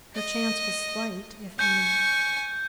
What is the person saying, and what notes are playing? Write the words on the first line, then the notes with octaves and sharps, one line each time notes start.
Her chance was slight, if any.
D#5
G#5 C#6 G6